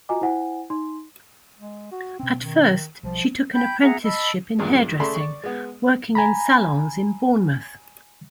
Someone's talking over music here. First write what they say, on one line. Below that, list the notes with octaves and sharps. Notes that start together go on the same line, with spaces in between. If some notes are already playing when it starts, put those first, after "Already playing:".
At first she took an Apprenticeship in Hairdressing, working in salons in Bournemouth.
F4 F#4 D#5 G#5 A#5 D6
E4 C5 F#5 G#5
D#4 C6
G#3
F#4
B2 C4 C#4
D#3
B1 F3 G3
G5 B5 G6
G#4 E5 F#5 A#5
D#5 A5 B5 E6
E2 G2 A#2 G#3
C#3 A3 A4 D5 B5 C6
D5 C#6
G#3 B3
G#5 A#5 B5